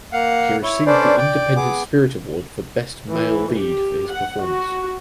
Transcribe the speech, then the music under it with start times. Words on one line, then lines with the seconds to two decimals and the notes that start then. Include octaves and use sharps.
He received the Independent Spirit Award for Best Male Lead for his performance.
0.13 A#3 F5 F#5
0.63 E4 C#5
0.86 C#4 D4 A4 B4 C5 D5
1.18 D5 G5
1.56 B3 G#4 D6
3.12 E3
3.53 G4
4.10 F#5
4.44 F#4